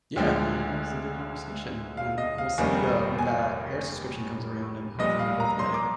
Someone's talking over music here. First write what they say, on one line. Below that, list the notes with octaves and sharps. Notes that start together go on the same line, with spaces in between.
Yeah, man. That was a good conversation, and we'll see, uh, when that air subscription comes around, and hopefully we both get it.
D2 D3 F3 G#3 G5
F5
D#5
F5
F1 D#2 D#3 G3 G#5
G#5
A#1 A#2 G3 D#5
F5
A#5
C6
D6